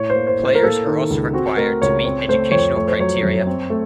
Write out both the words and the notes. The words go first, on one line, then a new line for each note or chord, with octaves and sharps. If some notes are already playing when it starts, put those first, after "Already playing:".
Players are also required to meet educational criteria.
Already playing: A2 C#5
C5
A#3
C5
A2
C5
A#4
A#3 A4
D#3
C#2
C4 F#4
A3 A#4
C#2 C#5
C4 C#5
A3 C5
F2 C#5
A3 C#5
C5
F#3 C#5
F#2
C4
A3